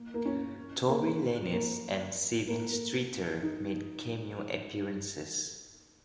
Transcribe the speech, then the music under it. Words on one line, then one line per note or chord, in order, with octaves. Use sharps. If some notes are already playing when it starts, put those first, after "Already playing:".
Tory Lanez and Sevyn Streeter made cameo appearances.
Already playing: A#3
A#3
C#4
A#3
A#3
A#3
A#3
D#4